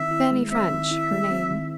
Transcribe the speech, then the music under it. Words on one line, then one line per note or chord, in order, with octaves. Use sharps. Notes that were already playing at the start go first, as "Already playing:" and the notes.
Fanny French, her name.
Already playing: D#3 C4 E4 E5
E4
G#3
C4 E5
D#3
E4
G#3
C4
D#3